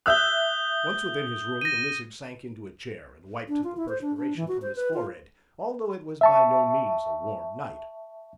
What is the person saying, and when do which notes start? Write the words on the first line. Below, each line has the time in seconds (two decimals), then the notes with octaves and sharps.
Once within his room the Lizard sank into a chair and wiped the perspiration from his forehead, although it was by no means a warm night.
0.06 E5 D#6 E6 F#6 G6 G7
1.61 A#6 D#7
3.49 D4
3.64 F4
3.77 E4
3.89 C5
4.02 D4
4.17 D4
4.36 E3
4.48 F#4
4.62 C5
4.76 B4
4.94 F4
6.21 E5 A5 C#6